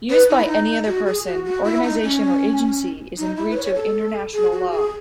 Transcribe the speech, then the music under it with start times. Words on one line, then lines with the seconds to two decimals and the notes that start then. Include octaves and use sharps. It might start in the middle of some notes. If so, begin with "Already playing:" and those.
Use by any other person, organisation or agency is in breach of international law.
0.10 B4
0.29 D#4
0.38 E4
0.46 D#4
0.87 F#4
1.06 G#4
1.26 F#4
1.45 F#4
1.64 E4
1.83 D#4
2.03 C#4
3.18 D#4
3.36 E4
3.51 B4
3.57 C#5
3.75 A4
4.33 G#4
4.52 F#4
4.71 G#4